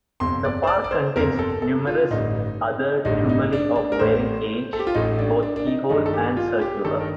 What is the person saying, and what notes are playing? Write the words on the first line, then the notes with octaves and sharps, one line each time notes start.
The park contains numerous other tumuli of varying age, both keyhole and circular.
G1 F2 C3 C6
D5
C5
D5
D5
C5
G1 F2 C3 A#4
A4
A4
F4
A1 G2 D3 D#4
A1 G2 D3 D#4
D#4
D4
D4
A#4
A1 A2 A3 C5
A4
G4
F4
A1 A2 A3 D#4
D4
D4
D4
D#4
G2 D#3 A3 D#4
A4
G4
F4
G4
G2 D#3 A3 A4
A#4